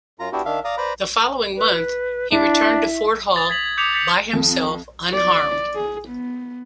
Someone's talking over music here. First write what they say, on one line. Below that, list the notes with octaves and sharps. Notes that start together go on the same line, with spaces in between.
The following month he returned to Fort Hall by himself unharmed.
F#2 F4 A#5
B3 D4 E4 F#4 G4
D#3 D4 E5 F5
D5 F5 A#5 D#6
B4 C5 D5 A#5 B5
B4
D4 E4 E5
D#6 A6
G#6 B6 F#7
G#6
D6 D#6 G6 B6 C#7 F7
G6 A6 B6 C#7
F2
D5
G#4
B3